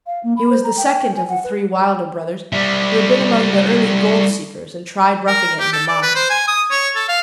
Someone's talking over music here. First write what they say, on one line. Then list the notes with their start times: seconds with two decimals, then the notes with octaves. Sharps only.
He was the second of the three Wilder brothers, who had been among the early gold-seekers, and tried roughing it in the mines.
0.07 F5
0.24 A#3
0.37 B5
0.50 C5
0.64 A#5
0.77 G5
1.16 G#5
1.29 F#5
1.44 B4
2.53 G3 E4
5.27 A#4
5.59 G4
5.72 A4
5.87 D5
6.02 B4
6.15 C5
6.30 G#5
6.48 D#6
6.70 C#5
6.95 A4
7.08 F5